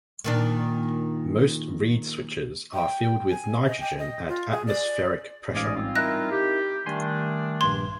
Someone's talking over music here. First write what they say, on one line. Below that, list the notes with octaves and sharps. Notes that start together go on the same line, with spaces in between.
Most reed switches are filled with nitrogen at atmospheric pressure.
A#2 D#3 D4
G5
G#5
D#5
G5
D#5
F4
G#4
D5
A1 G#2 D5 D#5 F5 G#5
G3 C4 F4
D#4 E4 A#4 F#6 A#6
G4
D#3 G3 A3 D4 G#5 C6
A#1 G2 C6 G#6